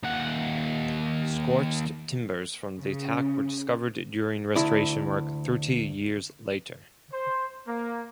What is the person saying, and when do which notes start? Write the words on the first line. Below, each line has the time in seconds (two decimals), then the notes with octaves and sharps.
Scorched timbers from the attack were discovered during restoration work thirty years later.
0.04 D#2 F#5
2.80 C#3
4.56 D2 E4 D5
7.12 C5
7.67 A#3